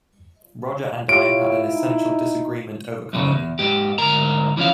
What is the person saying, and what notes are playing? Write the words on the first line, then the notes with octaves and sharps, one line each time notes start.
Roger and I had an essential disagreement over comedy.
E4 F4 G4 C#5 D7
D#4
F#2 A2 C#3
E2
G#2 G4
D2 G#2 A#4 A#5
E3 F3 C#4 F5